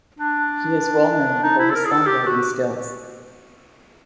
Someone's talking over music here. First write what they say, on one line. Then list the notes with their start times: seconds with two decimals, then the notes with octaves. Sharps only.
He is well known for his songwriting skills.
0.19 D4
1.43 D#4
1.59 E4
1.70 A4
1.75 A#4
1.86 G#4
1.91 A4
2.06 G4
2.27 F#4